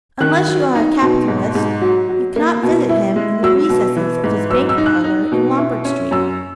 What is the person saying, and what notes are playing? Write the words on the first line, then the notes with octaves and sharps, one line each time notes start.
Unless you are a capitalist, you cannot visit him in the recesses of his bank parlour in Lombard Street.
D#3 F#6
F#3
D#4
B2
G#2
G#2
F#3
F#3
A#3
B2
E4
G#3
F#3 E6
B2
E3
G#2
F#2 E6
E6
D#4
F#6
D#4
B2
E4
C#4
F#2 E6